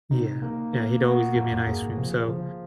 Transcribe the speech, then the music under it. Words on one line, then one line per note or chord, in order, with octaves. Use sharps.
Yeah. Yeah, he'd always give me an ice cream. So,
C3 D#4
A#3
A#3
F#4
A#2 A#3
F#2
F#2 G#4
G#2
C3 F3
C#3 F3